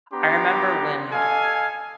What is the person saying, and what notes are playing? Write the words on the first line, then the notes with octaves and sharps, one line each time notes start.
I remember when
B3 D4 G4 A#5 C6
A4 D#5 F5 G#5